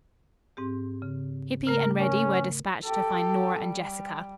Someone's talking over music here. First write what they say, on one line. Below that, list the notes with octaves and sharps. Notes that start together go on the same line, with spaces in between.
Hippy and Reddy were despatched to find Nora and Jessica.
G#2 C4 G4
C#3
C#3 A3 A#4
C#4 A#4
G4 A4
G3